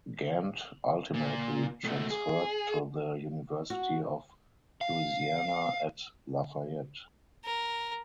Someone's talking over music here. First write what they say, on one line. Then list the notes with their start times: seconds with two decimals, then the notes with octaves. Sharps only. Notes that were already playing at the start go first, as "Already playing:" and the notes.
Gant ultimately transferred to the University of Louisiana at Lafayette.
1.14 A#2
1.84 B2 A3
2.10 G#4
3.70 F#4
4.81 F5
7.45 A#4